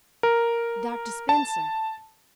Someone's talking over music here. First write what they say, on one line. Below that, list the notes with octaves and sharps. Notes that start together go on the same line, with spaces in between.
"Dr. Spencer."
A#4
A5